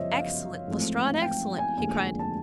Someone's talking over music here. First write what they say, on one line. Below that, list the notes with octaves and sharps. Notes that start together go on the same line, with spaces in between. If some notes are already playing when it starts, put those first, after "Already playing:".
"Excellent, Lestrade, excellent!" he cried.
Already playing: G1 F#2 C#3 F3 C5 C#5 D#5 E5
F5
A1 G#2 F3 A3 C4
G5
G#5
F1 D#2 D3 F3 G#3 G#5
A5